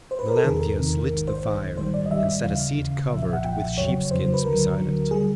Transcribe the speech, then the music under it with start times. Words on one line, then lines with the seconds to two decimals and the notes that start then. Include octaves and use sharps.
Melanthius lit the fire, and set a seat covered with sheep skins beside it.
0.11 C5
0.19 B4
0.28 A#4
0.36 A4
0.44 E2 C3 D#3 G#4
0.61 A#4
0.78 E2 C3 D#3
1.11 A1 G#2 D#3
1.28 C5
1.44 A1 G#2 D#3
1.77 A#1 G#2 D#3 G3 C5
1.94 D5
2.06 D#5
2.11 A#1 G#2 D#3 G3 E5
2.44 D#2 C#3 E3 F5
2.78 D#2 C#3 E3
3.11 B1 A#2 F3 E5
3.23 E5
3.33 F#5
3.44 B1 A#2 F3 G5
3.77 F2 C#3 F#3 C#5
4.11 F2 C#3 F#3 C5
4.34 B4
4.44 D2 D3 F#3 A#4
4.78 D2 D3 F#3
5.11 D3 G3 G#4